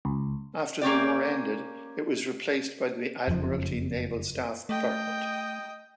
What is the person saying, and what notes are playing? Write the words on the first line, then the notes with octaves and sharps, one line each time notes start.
After the war ended, it was replaced by the Admiralty Naval Staff department.
C#2
A#3 C#4 G4 D5
F#1 F2 C3 F3
A3 D#5 G5